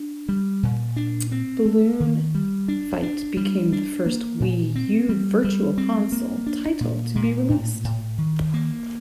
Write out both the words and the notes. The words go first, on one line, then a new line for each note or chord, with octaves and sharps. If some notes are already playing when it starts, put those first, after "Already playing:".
"Balloon Fight" became the first Wii U Virtual Console title to be released.
Already playing: D4
G3
A#2
D4
C4
A3
D#3
G3
D4
D4
G3
D4
A#3
A#2
C4
G3
G3
C4
A#3
D4
A#2
A#2
A2
A2
D#3
A#3